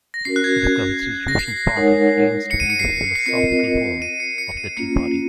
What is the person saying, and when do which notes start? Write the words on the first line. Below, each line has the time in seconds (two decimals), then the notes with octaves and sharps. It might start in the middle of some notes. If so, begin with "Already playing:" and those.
The Constitution Party claims to be the "philosophical home" of the Tea Party.
0.14 A#6
0.25 C#4 F#4 A#4 C7
0.36 F#6
0.44 G#6
0.64 G#6
1.28 A#6
1.39 C7
1.75 G#3 D#4 A#4 C#5 F#5
2.51 C#7
2.60 D#7
2.70 C#7
2.79 C7
3.15 C7
3.26 C4 F4 A#4 D#5 C#7
4.02 D#7
4.20 C#7
4.38 C#7
4.52 C#7
4.57 D#7
4.77 A#3 C#4 F4 C#7